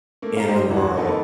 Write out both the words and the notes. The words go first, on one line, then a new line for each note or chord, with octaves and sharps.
in the world
A3 A#3
F5 A#5
G4 C5 D#5
E1 E2 E3 F#4
A#3 B3 D#4 A4